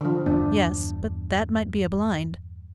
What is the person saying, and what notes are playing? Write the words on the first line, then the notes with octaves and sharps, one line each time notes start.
"Yes; but that might be a blind."
D3 F3
E2 G2 B3 D4